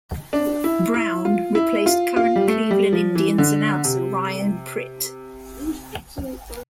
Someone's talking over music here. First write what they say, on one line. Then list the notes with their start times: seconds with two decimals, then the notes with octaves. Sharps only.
Brown replaced current Cleveland Indians announcer Ryan Pritt.
0.33 D4
0.64 E4
0.94 E4
1.25 F4
1.55 E4
1.86 F4
2.16 F4
2.36 G3
2.48 A3
2.71 G3
2.93 F3
3.15 E3
3.38 D3
3.84 C3